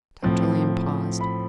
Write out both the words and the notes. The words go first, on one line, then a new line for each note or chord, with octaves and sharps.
Dr. Lamb paused.
A2 F3 C4
B5